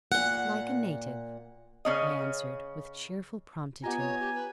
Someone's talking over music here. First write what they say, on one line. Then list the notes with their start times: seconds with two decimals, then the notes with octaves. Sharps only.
'Like a native,' I answered, with cheerful promptitude.
0.12 A#2 F#5
1.85 C#3 C#4 D#5
3.84 B3 F4 G4 D#5 F#5 G#5 A#5
3.98 C#5
4.20 G4
4.35 B4